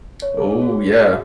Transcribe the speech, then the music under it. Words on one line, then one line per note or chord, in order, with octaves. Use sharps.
Oh, yeah.
C#5
G#4
G#4
F#4
G#4
F#4
F#4
G#4